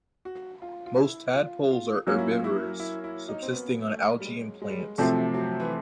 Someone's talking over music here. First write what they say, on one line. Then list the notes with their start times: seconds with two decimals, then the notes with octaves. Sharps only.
Most tadpoles are herbivorous, subsisting on algae and plants.
0.25 F#4
0.62 F4
0.86 F4
0.97 E4
1.34 F4
1.71 F4
2.07 F#3 A#3 C#4 F4
2.18 E4
2.31 F4
2.44 E4
2.80 E4
3.04 E4
3.29 D#4
3.42 C4
3.53 B3
3.89 A3
4.20 G3
4.25 G#3
4.62 G#3
4.70 G3
4.79 G#3
4.98 C3 F3 F#3 A3 C4
5.34 F#3
5.60 E3